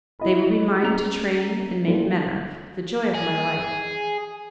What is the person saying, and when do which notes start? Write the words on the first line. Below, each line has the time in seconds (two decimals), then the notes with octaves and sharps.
They will be mine to train and make men of--the joy of my life.
0.20 E4 D#5 B5
0.82 G#3 C#4 A#5 F7
1.87 E3 G3 A3 A#3 F4
3.14 G#4